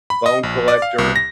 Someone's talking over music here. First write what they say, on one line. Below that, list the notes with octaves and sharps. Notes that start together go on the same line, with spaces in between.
Bone Collector
B5
D#5
A#1
D5
F5
C2
A#6